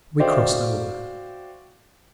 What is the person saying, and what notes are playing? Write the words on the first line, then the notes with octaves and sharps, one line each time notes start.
We crossed over.
F#4 C5 D5 E5 F5 G5